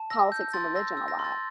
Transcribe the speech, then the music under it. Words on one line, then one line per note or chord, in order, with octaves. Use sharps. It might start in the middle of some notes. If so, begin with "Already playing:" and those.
politics and religion a lot,
Already playing: A5
E6 A#6
G6
C6 A6
E6 A#6
E6
A#6
C6
A6